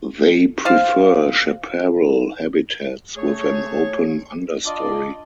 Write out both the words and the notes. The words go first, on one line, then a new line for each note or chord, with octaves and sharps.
They prefer chaparral habitats with an open understory.
F4 C5 F5
A3 G#4 C#5
D4 F4 D5 D#5